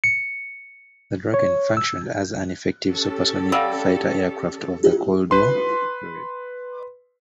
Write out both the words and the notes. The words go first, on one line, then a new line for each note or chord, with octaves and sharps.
The Draken functioned as an effective supersonic fighter aircraft of the Cold War period.
C#7
C#5
E6
C#4 G4 A4
G3 F5 F#5 E6
B4 C6